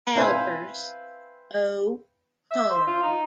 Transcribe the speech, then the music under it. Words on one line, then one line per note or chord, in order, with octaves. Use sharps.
Albers, O. Carm.
C4 E4 B4 C5 F5 G#5
E5
C5
F4
D#4